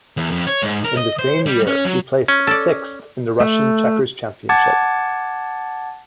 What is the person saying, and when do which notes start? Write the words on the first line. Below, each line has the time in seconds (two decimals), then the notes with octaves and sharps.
In the same year, he placed sixth in the Russian Checkers Championship.
0.17 E2
0.31 F2
0.47 C#5
0.63 G#2
0.84 A#4
0.97 D#5
1.19 C5
1.46 G3
1.67 C#4
1.85 F#3
2.28 C#4
2.47 A4 D5
3.40 A3
4.49 F#5 A5 D6 G#6 A6